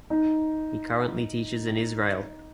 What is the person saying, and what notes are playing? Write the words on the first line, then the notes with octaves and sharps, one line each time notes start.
He currently teaches in Israel.
D#4